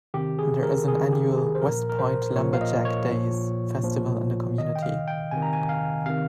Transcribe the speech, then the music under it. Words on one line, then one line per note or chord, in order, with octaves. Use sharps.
There is an annual "West Point Lumberjack Days" festival in the community.
C3 D#3 G4
G#4
A#4
C3 D#3 G#4
G4
G#4
C5
A#2 F3 A#4
A#4
C5
A#2 F3 C#5
F5
D#5
C#5
A#2 F3
A#2 F3
C3 D#3 D#5
G5
F5
G5
C3 D#3 G#5
A#5
G#5
F5
C3 D#3 F5